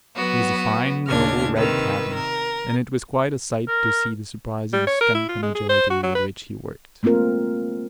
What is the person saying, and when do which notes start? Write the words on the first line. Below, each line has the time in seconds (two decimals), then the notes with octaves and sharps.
He was a fine, noble, red tabby, and it was quite a sight to see the surprising strength and agility with which he worked.
0.15 F#3 B3 F#4 B4
1.07 D#2 C#3 C#4 D4 F6 G#6
1.55 C3 D#3 B4 E6
2.16 A#4
3.68 A#4
4.73 G3
4.87 C#5
5.01 A#4
5.14 E4
5.29 F4
5.43 G#3
5.55 G#4
5.69 C5
5.90 F#4
6.03 F#3
6.15 B4
7.03 A3 A#3 C4 F4 A#4
7.15 G#3